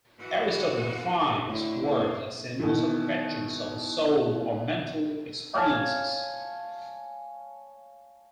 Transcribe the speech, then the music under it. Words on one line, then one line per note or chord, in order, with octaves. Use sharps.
Aristotle defines words as symbols of 'affections of the soul' or mental experiences.
E3 F#4
A2 D3
E3 A#3
B2 D#3 E3
C#5 F5 G#5 A5